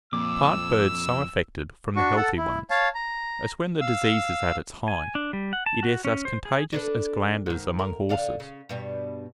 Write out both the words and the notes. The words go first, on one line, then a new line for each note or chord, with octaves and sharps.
Part birds so affected from the healthy ones, as, when the disease is at its height it is as contagious as glanders among horses.
F2 A#2 D6 E6
D4 F#4 C#6
A4 F#5 A5
E4
C#5 F5 A5
A#5
F5 E6
G#5
D4
G3
F#5
A5
F#4
C#4
C5
G#4
D4 A4 B4
G#2 D#3
A#4
D3 D5 F5
C#3
G2 B2 G3